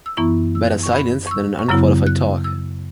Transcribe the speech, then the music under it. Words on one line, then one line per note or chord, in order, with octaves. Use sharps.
Better silence than an unqualified talk.
E6
F#2 E3 B3 E4 C#6
E6
F#6
C#6
B5
C#6
E6
C#6
F#2 C#3 F#3 B3 E4 E6
F#6
E6